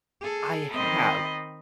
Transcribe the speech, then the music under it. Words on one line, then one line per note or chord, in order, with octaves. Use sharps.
I have,
G#4 A4
D#3 C4 D#5 B5